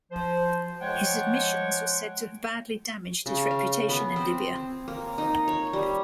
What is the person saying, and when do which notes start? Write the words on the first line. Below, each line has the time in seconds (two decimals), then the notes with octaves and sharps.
His admissions were said to have badly damaged his reputation in Libya.
0.12 F3 C5
0.80 F3 G#3 C#5 F#5 G5
3.26 C#3
3.51 F5
3.89 B3
4.16 C4
4.56 C4
4.88 A#3
5.18 D#4
5.48 C#5
5.73 G3